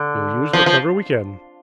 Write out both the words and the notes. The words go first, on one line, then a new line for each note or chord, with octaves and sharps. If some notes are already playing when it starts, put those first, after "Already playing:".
"We'll use what cover we can."
Already playing: D3
F3
F3